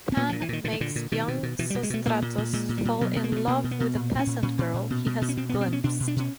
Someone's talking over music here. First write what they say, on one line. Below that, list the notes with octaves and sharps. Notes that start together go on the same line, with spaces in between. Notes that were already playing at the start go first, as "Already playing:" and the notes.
Pan makes young Sostratos fall in love with a peasant girl he has glimpsed.
C4
A#2 B3
A#2 F3
E3
A#2 D#3
A#2 D3
D#3
A#2 D3
A#2
B2 D#3
B2
B2
B2 E3
B2 G3
G#3
B2 A3
A#2 A#3
A#2
A#2
A#2 G#3
A#2
G3
A#2
B2 F#3
B2 A3
A#3
B2 A3
B2 A#3
B2
B3
B2
A#2
A#2
C#4
A#2
A#2 C#4
A#2
A#2
B2
B2
B2
C#4
B2 C4
B2 B3
C4
B2 C#4
B2 D4
B2
D4
B2 C#4